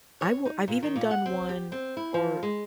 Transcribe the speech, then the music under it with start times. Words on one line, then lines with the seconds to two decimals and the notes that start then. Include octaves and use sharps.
I will I've even done one, or
0.21 C#5
0.45 D#4
0.68 A#2
0.83 D#3
0.96 A#2
1.11 F#5
1.26 C4
1.49 G4
1.72 C4
1.97 E4
2.14 F3
2.43 G#3